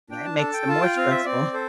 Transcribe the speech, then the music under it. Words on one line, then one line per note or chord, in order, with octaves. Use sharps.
That makes them more stressful.
D4 G5
A5
A4 A5
G5
F4 A5
G5
C4 F5
E5
C4 D5
A4 C5